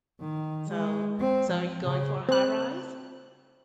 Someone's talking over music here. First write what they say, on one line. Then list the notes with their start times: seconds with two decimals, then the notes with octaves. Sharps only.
so so you going for a high-rise?
0.20 D#3
0.69 G#3
1.20 C4
1.50 F3
1.82 C#3
2.29 C4 F#6